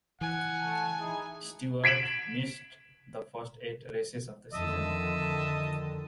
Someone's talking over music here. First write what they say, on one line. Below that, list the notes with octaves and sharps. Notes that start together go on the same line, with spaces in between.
Stewart missed the first eight races of the season.
E3 F#5 G#5
A3 A5
D#4 E4 G#4
G#6 B6 D7 E7 F#7
F2 D3 D#3 D#5 E5 A5